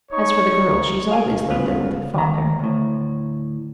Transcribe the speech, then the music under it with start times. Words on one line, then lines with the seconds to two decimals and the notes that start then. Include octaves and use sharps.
As for the girl, she's always lived there with her father.
0.11 D#4 C#5 C#6
1.09 A2 F5 G#5
1.51 G2 C#3 B3 F4
2.14 D#3 A#5
2.59 D2 A2